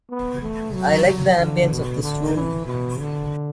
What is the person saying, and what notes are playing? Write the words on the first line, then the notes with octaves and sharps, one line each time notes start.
I like the ambience of this room.
B3
A3
F#3
F#3
D3
B2
D3
E3
B2
D3